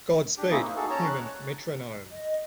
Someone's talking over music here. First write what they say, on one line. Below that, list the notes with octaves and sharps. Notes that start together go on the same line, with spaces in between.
Godspeed Human Metronome.
D4 G4
A3 A#3 C4 D#4 E4 G#4
A#3
D#4 F#4 G#4 A4
C#4 C#5 A5 A#5
F#6
D#5